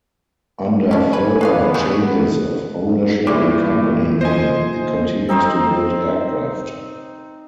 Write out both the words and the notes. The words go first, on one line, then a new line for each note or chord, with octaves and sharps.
Under further changes of ownership and company name, it continues to build aircraft.
C#4 D4
B4 G#5
D4 G#4 B4 F5
B3
A3 G#4
G2 A#2 E3 D6
C5 D#5 G#5
C4 D#4 C5 E6